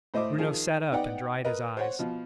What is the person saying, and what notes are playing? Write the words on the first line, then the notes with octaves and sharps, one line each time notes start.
Bruno sat up and dried his eyes.
A2 C5 D#5 E5 D6
D#3 F3 G#4
B3 D#4 D5 F#5 G5
A#4 B4 D#5
C5 C#5 F#5
B2 F3